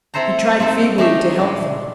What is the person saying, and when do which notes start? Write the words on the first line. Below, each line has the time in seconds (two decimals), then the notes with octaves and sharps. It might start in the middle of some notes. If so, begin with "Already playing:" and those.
He tried feebly to help them.
0.14 C4 E4 A4 C5 A#5
0.59 A#3 C4 D#4 A4
0.98 A3 C#4 D#4 G4 G#4 E5
1.39 A#2 G#3 D4